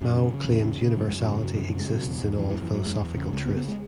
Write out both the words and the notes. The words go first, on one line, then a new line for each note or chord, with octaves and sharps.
Mou claims universality exists in all philosophical truth.
F#2 F#3
C#3
C#3
E2
C#3
C#3
F#2 F#3
G#3
F#2
F#3
C#3 G#3
F#2 F#3
F#3
C#3
E3
C#3 G#3
B2 F#3
E2
E2
F#2 E3
E3
F#2
E3
F#2 F#3
E2 G#3
E2
C#3
C#2 G#3
B3
C#3
B3
G#3